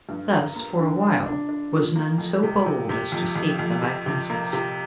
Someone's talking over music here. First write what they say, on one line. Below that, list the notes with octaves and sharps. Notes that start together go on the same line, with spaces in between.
Thus, for a while, was none so bold as to seek the high Princess.
G2
A#3
A#3
D3
D4
D4
D4
F3
A#3
F2
C3
C3
C3
F2
F2
F2
C3
C3
A#3
C3